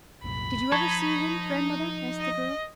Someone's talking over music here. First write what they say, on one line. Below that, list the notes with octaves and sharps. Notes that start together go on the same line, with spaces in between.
"Did you ever see him, grandmother?" asked the girl.
C2 F#2 A#2 B5
F3 D#4 A5 C#6 G#6
D#5